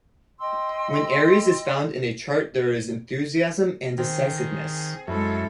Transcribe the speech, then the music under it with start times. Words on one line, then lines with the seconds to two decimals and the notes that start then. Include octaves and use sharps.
When Aries is found in a chart, there is enthusiasm and decisiveness.
0.39 D#5 G5 C6 E6
3.98 D#3 C4 G#4
5.07 F#2 G#3 A3 E4 A4